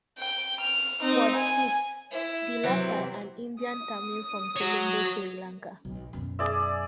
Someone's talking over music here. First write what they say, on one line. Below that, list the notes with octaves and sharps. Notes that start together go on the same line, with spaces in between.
Wordsmith, the latter an Indian Tamil from Colombo, Sri Lanka.
G5
F6
C4 D#4
G#5
E4
C3 E3 F#3 C4
D#6
F#4 C#5
B1
F#2 B2
G#4 D5 E5